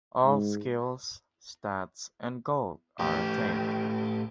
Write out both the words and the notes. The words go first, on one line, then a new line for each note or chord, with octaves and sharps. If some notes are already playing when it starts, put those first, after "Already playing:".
All skills, stats, and gold are retained.
G#2
A2 G4